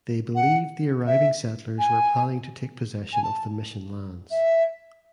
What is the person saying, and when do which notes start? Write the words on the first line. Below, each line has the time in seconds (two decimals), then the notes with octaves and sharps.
They believed the arriving settlers were planning to take possession of the mission lands.
0.35 F#5
1.06 E5
1.78 G#5
3.13 G#5
3.22 A5
4.30 E5